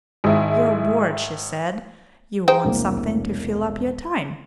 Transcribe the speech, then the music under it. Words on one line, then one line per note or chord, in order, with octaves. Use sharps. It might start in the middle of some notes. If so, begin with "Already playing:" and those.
You're bored, she said, you want something to fill up your time.
G#1 G#3 E4
G#4 C5 G5 A#5
E1 C2 A#3